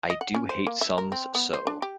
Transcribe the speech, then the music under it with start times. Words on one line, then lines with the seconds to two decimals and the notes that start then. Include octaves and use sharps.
I do hate sums so!
0.10 D#5
0.21 F#5
0.34 C#4
0.49 C5
0.67 A#3
0.81 E5
0.98 A#4
1.12 C4
1.35 B3
1.53 C5
1.67 D4
1.82 G4